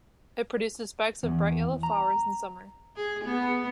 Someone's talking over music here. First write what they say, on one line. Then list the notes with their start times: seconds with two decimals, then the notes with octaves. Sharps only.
It produces spikes of bright yellow flowers in summer.
1.23 E2
1.83 A#5
2.96 G#4
3.25 B3